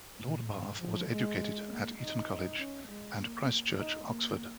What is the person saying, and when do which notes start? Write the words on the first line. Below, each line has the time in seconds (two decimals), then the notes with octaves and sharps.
Lord Bath was educated at Eton College and Christ Church, Oxford.
0.21 A#2
0.50 G#2
0.80 F3
1.10 G#3
1.69 A#3
1.99 D#4
2.59 C#4
2.89 G#3
3.18 A#3
3.78 D#4
4.08 A#3